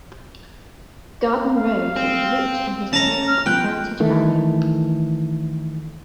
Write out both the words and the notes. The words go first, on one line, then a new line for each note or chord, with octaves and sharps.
Garden Road is rich in historical and heritage value.
F5
C4
C#4 A5 A#5
F6
F3 B3 G5 F#6
D#3 E3 A3